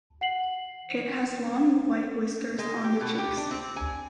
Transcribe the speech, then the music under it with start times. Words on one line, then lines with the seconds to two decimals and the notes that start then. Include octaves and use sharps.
It has long white whiskers on the cheeks.
0.21 F#5 C7 F#7
2.59 G#3
2.84 G4
3.01 B2
3.18 G4
3.37 D4
3.51 C4
3.76 G#5